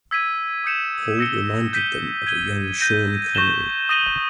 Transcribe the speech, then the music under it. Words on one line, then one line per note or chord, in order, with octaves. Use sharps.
Paul reminded them of a young Sean Connery.
E6 G#6 B6 D#7
D#6 G6 C#7 E7
E6 A#6 C#7 G7
G6 B6 D#7 G7
G#6 D#7 G7
G6 A#6 D#7
C#6 G6 A#6 E7 G7
D#6 A#6 D#7 G7